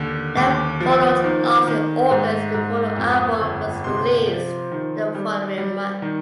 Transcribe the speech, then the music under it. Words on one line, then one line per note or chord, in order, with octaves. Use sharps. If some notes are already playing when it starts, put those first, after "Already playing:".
Then followed "Lost" in August before the album was released the following month.
Already playing: D#2 D3
D#2 D6
F3
D#3
D#3
G#2
G#2
F2
G1
C3 C6
F3
D#3
G3
G3
D#3